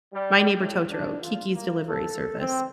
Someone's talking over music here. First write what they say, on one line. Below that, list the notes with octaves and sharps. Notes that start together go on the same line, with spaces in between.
My Neighbor Totoro, Kiki's Delivery Service,
G3
A2
D4
F4
A#3
A4
C4